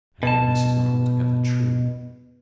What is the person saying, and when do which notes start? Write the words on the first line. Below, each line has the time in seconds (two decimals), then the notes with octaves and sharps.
And yet this is not altogether true.
0.23 B2 A5